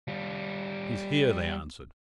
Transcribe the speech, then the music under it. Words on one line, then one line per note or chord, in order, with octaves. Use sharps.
"He's here," they answered.
G3 F4